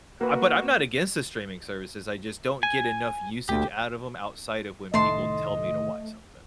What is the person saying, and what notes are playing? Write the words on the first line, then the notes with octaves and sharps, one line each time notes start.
uh, but I’m not against the streaming services, I just don’t get enough usage out of 'em, outside of when people tell me to watch something.
A#3 F#4 A#4 B4
G#5
D2 G4
C2 A2 D#3 A3 D#5 A5 C6